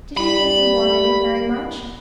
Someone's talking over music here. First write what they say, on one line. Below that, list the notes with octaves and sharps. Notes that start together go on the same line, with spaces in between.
'Did he think you wanted it very much?'
G3 B5